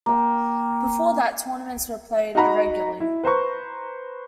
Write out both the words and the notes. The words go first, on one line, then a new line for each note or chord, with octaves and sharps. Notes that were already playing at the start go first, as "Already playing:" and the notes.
Before that, tournaments were played irregularly.
A#3 G5
D#4 F#4 F#5 A#5 B5
E4
B4 C5 A#5 C#6